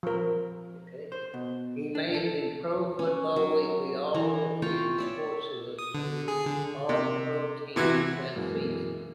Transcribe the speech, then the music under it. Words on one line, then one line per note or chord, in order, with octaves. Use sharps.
He made the "Pro Football Weekly" All-Rookie and "Sports Illustrated" All-Pro teams that season.
F3 A#4
C5
B2
D4
A4
C#4
F#3
E3 A#5
F4 G5 A#5 C#6
C#5 D5 E5
D#6
D3
G#4
D3
C3
C3 E3 E4 F#4
F#2 B2 E3 G#3 A#3